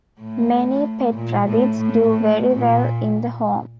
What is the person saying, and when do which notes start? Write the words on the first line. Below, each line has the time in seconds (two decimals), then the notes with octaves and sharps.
Many pet rabbits do very well in the home.
0.21 A2
1.14 A#2
1.46 A2
1.77 A2
2.08 A2
2.55 A#2